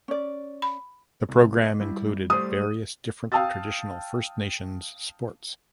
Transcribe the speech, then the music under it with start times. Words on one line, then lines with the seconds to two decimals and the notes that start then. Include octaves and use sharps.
The program included various different traditional First Nations sports.
0.08 C#4 D5
0.62 B5
1.29 C2
1.61 D#5
1.81 G3 E4
2.30 G3 A3 C5 D#6
3.32 F5 G5 A5 D#6 E6 A6